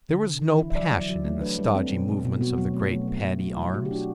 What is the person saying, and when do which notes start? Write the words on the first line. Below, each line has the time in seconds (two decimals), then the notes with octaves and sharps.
There was no passion in the stodgy movements of the great paddy arms.
0.09 D3
0.26 D3
0.42 E3
0.59 E4
0.70 E5
0.75 F#3 D5
0.92 F#3
1.09 F#3
1.25 A3
1.41 D4 B4
1.59 G3 B4
1.75 C4 A4
1.91 B2
2.09 B2
2.25 B2
2.41 B3 F#4
2.58 F#3
2.74 A3
2.91 A3
3.08 F#3
3.24 F#3
3.40 F#3
3.57 E4
3.74 A3 F#4
3.85 G4
3.91 D4 F#4